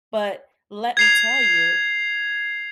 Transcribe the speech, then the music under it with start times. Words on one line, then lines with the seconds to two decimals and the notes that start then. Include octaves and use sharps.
but let me tell you,
0.97 G#6 C7 F7